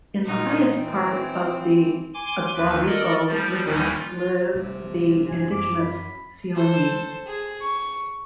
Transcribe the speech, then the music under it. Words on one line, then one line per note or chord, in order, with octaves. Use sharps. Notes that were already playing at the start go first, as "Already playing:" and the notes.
In the highest part of the Aguarico River live the indigenous Sioni.
A#2 D#4 F4
E3 C4
G#5 C6 D6
D#2 B4
A4 A#4 D5 D#5
F3 G3 A6
D#2 A2 E3 G3 C#4 D#4
F4
G#1 A2 C3 G3
F#1 A2 F3 G#5
F#2 D6
B5
A4 C5
G#4
C#6